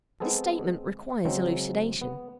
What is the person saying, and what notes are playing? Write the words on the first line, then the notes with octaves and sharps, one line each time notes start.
This statement requires elucidation.
G#3 B3 C4 G#4 A4
C#3 F#3 G#3 C4
B3